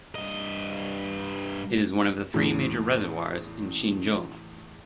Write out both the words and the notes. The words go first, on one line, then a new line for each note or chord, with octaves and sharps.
It is one of the three major reservoirs in Xinzhou.
G2 D#5
E2 A2